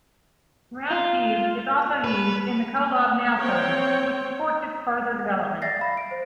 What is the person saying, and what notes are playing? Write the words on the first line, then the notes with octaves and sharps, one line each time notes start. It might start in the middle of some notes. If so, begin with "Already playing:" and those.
Roundcube is also used in the Kolab Now service which supports its further development.
F4
B4
C4 C#5 G5
D5 E5 A6 A#6 C7
F5 B5
D7
C5